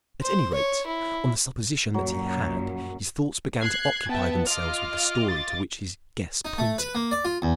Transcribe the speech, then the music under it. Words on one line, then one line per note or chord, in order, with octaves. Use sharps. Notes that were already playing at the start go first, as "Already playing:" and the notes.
At any rate, on the supposition that he had, his thoughts began to occupy themselves with the story to which his guess pointed.
C5
C#5
E4
F#2 A#2 F#3
F#6 G#6 C7
B3 E5 G5 A5
F4 D#5 D6 F6
A6
D#4
A3
B4
A#3
D5
F4
E2